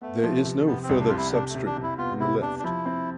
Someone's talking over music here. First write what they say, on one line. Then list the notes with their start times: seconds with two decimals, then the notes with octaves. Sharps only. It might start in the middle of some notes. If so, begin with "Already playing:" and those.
There is no further substring on the left.
0.01 A3 B3
0.24 F3
0.45 C3
0.67 C3 B3
0.83 C4
0.89 C2
1.00 D4
1.08 F4
1.11 C3
1.17 E4
1.33 C3 D4
1.49 A3
1.55 C3
1.66 D4
1.76 C3
1.83 E4
1.98 B3 F4
2.20 C3 E4
2.42 C3 D4
2.59 D4
2.64 F3 E4
2.86 C4